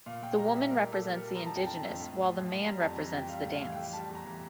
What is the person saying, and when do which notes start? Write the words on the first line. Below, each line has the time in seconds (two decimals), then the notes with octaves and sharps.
The woman represents the indigenous while the man represents the dance.
0.06 A#2 F5
0.22 A#2 G5
0.38 G3 A#5
0.54 G3 E5
0.70 A#2 A#4
0.87 A#2
0.92 A4
1.03 G3
1.14 A#4
1.19 G3
1.35 F3 A#5
1.46 A5
1.52 F2 G5
1.66 D3 A5
1.84 F2
2.00 A2
2.16 A2
2.32 F3
2.48 F3
2.64 G3 A#5
2.80 F2 A5
2.96 E3 A#5
3.12 F2 G5
3.28 G3 F5
3.45 A2
3.50 F5
3.61 E3
3.72 A2 G5
3.93 G3 A5
4.09 E2
4.15 A#5
4.26 E3